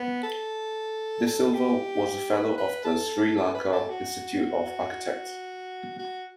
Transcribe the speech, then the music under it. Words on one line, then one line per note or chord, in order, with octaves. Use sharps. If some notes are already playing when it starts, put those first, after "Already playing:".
De Silva was a fellow of the Sri Lanka Institute of Architects.
Already playing: B3
A4
A4
G4
B4
B4
A4
A4
B4
A4
F#4
F#4